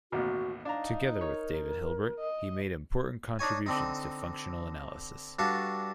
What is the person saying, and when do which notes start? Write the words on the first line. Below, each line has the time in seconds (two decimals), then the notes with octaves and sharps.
Together with David Hilbert he made important contributions to functional analysis.
0.12 A1 D#2 B2 F#4
0.65 D4 D#4 F5 A#5
1.21 A#4 C#5
2.19 D#5
3.39 D4 D#4 C#5 G#5
3.66 D3 C4 D#4
5.39 G2 D4 F#4 A4 F5 C#6